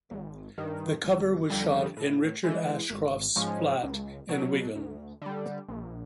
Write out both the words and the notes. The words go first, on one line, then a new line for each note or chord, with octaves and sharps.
The cover was shot in Richard Ashcroft's flat in Wigan.
G#1
G2 D#3
G1
F2 D3 G3
A2
E3 G#3
G#1
G#2 F3 G#3 C#4
C#2
B2 F#3
D2
D3 G3
A#1